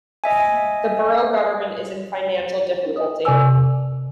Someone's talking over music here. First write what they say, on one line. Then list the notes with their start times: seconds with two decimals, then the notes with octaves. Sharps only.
The borough government is in financial difficulty.
0.24 D#5 E5 G#5
3.25 C3 D5 G#5 E6